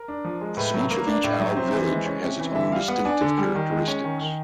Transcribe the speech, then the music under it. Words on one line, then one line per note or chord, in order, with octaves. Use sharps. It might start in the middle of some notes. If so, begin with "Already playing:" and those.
The speech of each Ao village has its own distinctive characteristics.
Already playing: A#4
D4
F3
G#3
A2 B4
F#3
A#3
D4
A2
F#3
C3 C5
E3
G#3
C#4
C3
E3
D3 E5
G3 F5
B3 F#5
D4 G#5
D3
G3
D#3
G#3
C#4
D#3
D#3